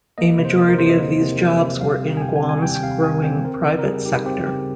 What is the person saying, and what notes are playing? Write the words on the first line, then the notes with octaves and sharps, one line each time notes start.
A majority of these jobs were in Guam's growing private sector.
A#3 D#5
C3
C5
F3 C5
A#4
C3 C5
D#5
A#3
C3
F3
C3
G3 F5
C3
G#5
D#3 G5
G#5
C4
G#5
G3 G5
G5
C3 F5
D#3 G#5
C4 G5
C4 A#4
C#3
A#4
G3 G#4
D#4 G4
C4 G4
C#3 G4